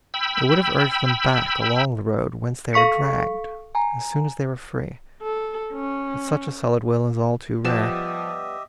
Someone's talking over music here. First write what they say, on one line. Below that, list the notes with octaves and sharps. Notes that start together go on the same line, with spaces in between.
It would have urged them back along the road Whence they were dragged, as soon as they were free; But such a solid will is all too rare.
G5 B5 E6
A4 F5 C#6 B6 C#7
G#5 A#5
A4
C#4
F3 G3 B3 G4 D#5 E5 E7